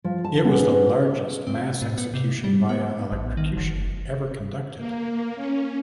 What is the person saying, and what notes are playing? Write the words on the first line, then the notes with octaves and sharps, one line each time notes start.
It was the largest mass execution via electrocution ever conducted.
F3
A5
B3 C#4 G#4
C4
A2
B3
C3
G3
B3
A1
D#3
F#1
A#3
C#4